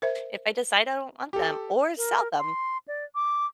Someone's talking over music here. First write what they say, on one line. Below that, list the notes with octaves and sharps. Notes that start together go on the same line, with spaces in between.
if I decide I don't want them or sell them,
A#4 C5 E5
G4 A4
A#4
C6
D5
D6